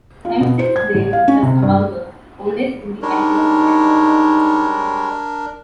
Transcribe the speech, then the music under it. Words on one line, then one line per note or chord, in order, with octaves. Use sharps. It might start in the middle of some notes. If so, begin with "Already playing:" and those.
Hempstead's grave is thus among the oldest in the entire cemetery.
F4
B2
C5
G#6
A1
F5
C#4
C3
G2
G3 G#3 D4 D#4 A#4 C#5